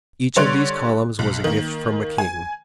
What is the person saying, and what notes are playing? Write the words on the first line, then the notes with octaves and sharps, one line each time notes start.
Each of these columns was a gift from a king.
D3 G3 C#5 C6 F#6 D7
B1
D#3 A#3
G#5